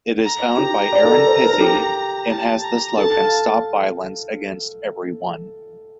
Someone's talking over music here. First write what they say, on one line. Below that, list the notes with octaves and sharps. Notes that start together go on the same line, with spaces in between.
It is owned by Erin Pizzey and has the slogan "Stop Violence Against Everyone".
A#5
G4
D5
A4
A#4
C5
A#4
A4
G4
A5
A#5
A4 A5
F5